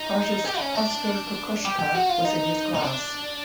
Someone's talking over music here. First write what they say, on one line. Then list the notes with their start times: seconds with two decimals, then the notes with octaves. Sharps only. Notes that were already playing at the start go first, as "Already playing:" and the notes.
Artist Oskar Kokoschka was in his class.
Already playing: D#4
0.45 G4
0.60 C#4
0.75 D4
1.65 G4
1.79 G4
1.95 F#4
2.09 F4
2.25 D#4
2.74 D#4
2.83 D4